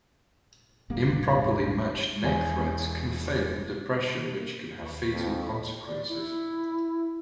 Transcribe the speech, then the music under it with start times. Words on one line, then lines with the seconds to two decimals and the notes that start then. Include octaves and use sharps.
Improperly matched neck threads can fail under pressure which can have fatal consequences.
0.90 E1 A1 G2 A#3
2.23 E1 G#5
4.34 A#3
4.83 D#2 B4 C#6
5.13 F2
5.86 D5
6.07 E4